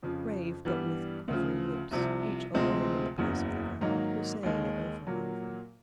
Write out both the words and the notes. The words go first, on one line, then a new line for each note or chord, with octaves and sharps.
Brave, but with quivering lips, Each alone in the press of the crowd, Was saying it over and over.
F2 C#3 F3
G2 E3 G3 B3
D2 C#3 F3
C2 C3 F3
D2 C3 F3 G#3 C4
F#1 E2 C#3 F#3
G#2 D#3 F#3 A#3 D#4
D#2 D#3 G#3
A#2 F#3 A#3